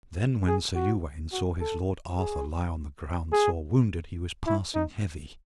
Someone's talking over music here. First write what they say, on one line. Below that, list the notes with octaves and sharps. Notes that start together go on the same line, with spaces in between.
Then when Sir Uwaine saw his lord Arthur lie on the ground sore wounded, he was passing heavy.
G#4
F#4
F#4
A4
G#4
G#4
E4
D#4